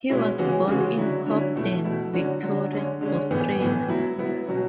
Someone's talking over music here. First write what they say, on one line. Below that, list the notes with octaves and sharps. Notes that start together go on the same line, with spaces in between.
He was born in Cobden, Victoria, Australia.
B2 G#3 C#4 E4
C#3 E3 G#3 C#4 F#4
C#3 E3 G#3 C#4 F#4
D3 F#3 C#4 E4
D3 F#3 C#4 E4
B2 A3 E4
B2 A3 E4
D3 F#3 C#4 F#4
D3 F#3 C#4 F#4
D3 G#3 C#4
D3 G#3 C#4
A2 E3 B3
A2 E3 B3
F#3 B3 E4
F#3 B3 E4
B2 F#3 C#4